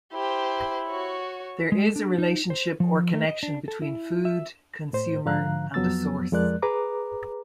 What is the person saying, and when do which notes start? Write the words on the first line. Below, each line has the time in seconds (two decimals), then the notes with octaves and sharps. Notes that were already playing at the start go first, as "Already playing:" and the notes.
There is a relationship or connection between food, consumer, and a source.
0.13 E4 G4 C5
0.88 F#4 C#5
1.72 G#3
1.96 D4
2.18 D#4
2.50 C5
2.80 F3
3.13 A3
3.28 D#5
3.43 D4
3.68 A4
3.82 E4
4.25 E5
4.93 A2 C5
5.26 G#2 D3 F3 F5 A#5 F#6
5.74 F2 F3 F#3 B3 E6 A6
6.32 F2 F3 G#3 A#4 D5 F#6
6.62 G#4 B4 A#5 D6